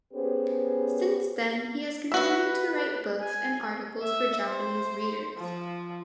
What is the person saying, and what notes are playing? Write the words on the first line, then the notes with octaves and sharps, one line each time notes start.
Since then he has continued to write books and articles for Japanese readers.
B3 C#4 G4 G#4 B4 C5
F#4 B4 E5
G#5
E5
C5
F3